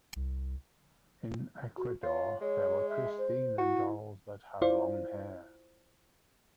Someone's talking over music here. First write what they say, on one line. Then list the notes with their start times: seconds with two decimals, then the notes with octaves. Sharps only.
In Ecuador, there were Christina Dolls that had long hair.
0.16 C2
1.77 F#4
2.03 F4 C#5
2.41 G#3 C#5
2.89 E5
3.18 C5
3.58 E4 F#4
4.62 E4 F4 C5 D5 F5